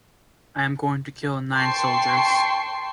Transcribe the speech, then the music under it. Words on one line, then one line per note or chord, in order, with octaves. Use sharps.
I am going to kill nine Soldiers.
G5 A5 C6 C#6 C7